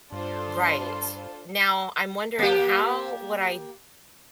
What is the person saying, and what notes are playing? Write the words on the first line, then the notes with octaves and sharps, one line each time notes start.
Right. Now, I'm wondering how would I
G2 D4 F4 A4 C5 C6
A#3 G4